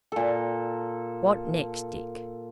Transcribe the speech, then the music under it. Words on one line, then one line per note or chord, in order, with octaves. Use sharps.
"What next, Dick?"
A#2 A4